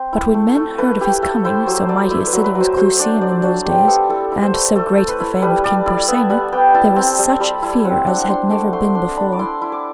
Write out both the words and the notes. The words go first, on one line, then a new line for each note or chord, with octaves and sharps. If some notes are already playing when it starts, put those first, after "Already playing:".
But when men heard of his coming, so mighty a city was Clusium in those days, and so great the fame of King Porsenna, there was such fear as had never been before.
Already playing: C4 C5
E4
A3
A3
A3 B4
E4 G4
A3 A4
E4 C5
F#3 C5
F#3 D5
E4 E5
B4
F#3
B4
F#3
C5
F#3 C5
D4 D5
F#3 D5
D4 F#4
D4 G4
B3 A4
E4 A4
E4
C5
A3
A3 A4
A3
B4
E4
G3 B4
G3 D5
E4 D5
B3 E5
G3 F#5
B3 G5
E4 A5
C4
G3
G3 B5
E4 A5
C4 F#5
D4 F#5
D4 C6
A3 D6
A3 C6
D4 C6
D4 B5
D6
E4 C6
E4
D6